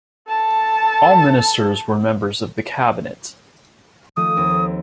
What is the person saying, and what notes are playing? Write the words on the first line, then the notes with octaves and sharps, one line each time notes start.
All ministers were members of the Cabinet.
A4 A5
D#3 F3 A3 D#6
D#2 A#3 C4